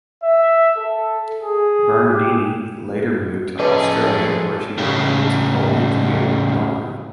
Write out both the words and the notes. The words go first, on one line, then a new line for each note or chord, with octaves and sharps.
Bernardini later moved to Australia where she worked at the Tivoli Theatre, Melbourne.
E5
A4
G#4
G4
F3 C#4 G#4 A4 B4 D#5 D6
A2 C#3